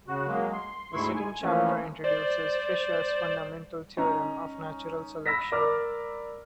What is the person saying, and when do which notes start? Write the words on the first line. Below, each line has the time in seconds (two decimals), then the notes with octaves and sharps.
The second chapter introduces Fisher's fundamental theorem of natural selection.
0.08 C#3 F#4
0.27 F#3 G#3 A#3
0.53 C6
0.93 D2 G#2 E4 C6 C#6
1.15 G#5
1.42 E3 F3 A3 A#3 C#4
2.04 C5 D5
3.97 C#4 D#4 A#5
5.26 B5 E6 A#6 B6
5.52 A#4 D5 B5 D6 E6 F6